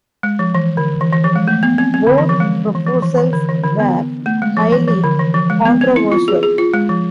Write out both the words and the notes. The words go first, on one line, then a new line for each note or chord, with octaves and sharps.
Both proposals were highly controversial.
G#3
F3
E3
D3
E3
E3
F3
G#3
A3
B3
C4
C4
D3
E3
F3
G#3
E3
F3
E3
E3
D3
E3
D3
B3
A3
G#3
F3
E3
F3
D3
E3
F3
G#3
B3
C4
E4
F4
G#4
G#4
F4
G#3
F3